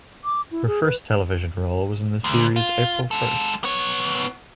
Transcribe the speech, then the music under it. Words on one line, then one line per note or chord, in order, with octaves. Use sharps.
Her first television role was in the series "April First".
D6
E4
G#4
B4
D2
F4
G#3 A4
B3 C#5